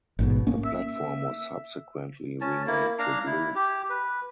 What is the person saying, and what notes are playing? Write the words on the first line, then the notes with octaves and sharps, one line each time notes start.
The platform was subsequently renamed to Bloom.
A1 G#2 B2
A#3 C#4
E5
C#4 A5
A#3 E4
D4 F5 A#5
E4
G4
B4